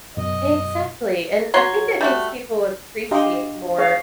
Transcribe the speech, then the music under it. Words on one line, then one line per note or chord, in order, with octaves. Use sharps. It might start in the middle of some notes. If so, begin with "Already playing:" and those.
Exactly, and I think it makes people appreciate more,
F#2 B2 D#5
F#3 C#5 C6
G3 A3 F#4
D4 G4 D#5 F5 A#5 C6
G#4 C#5 F5